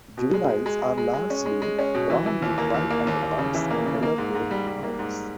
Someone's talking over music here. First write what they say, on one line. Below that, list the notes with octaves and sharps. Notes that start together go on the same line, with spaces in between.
Juveniles are largely brown with white underparts and duller bare parts.
B2
G#3
G#3
G#3
G#3
G#3
G#3
C#4
G#3
G#3
C#4
B2
E3
E3
D#2
A#3
D#2
A#3
D#2
D#2
C#3
E3
A#3
C#3
A#3
G#2
G#2
G3
G3
A#3
G#2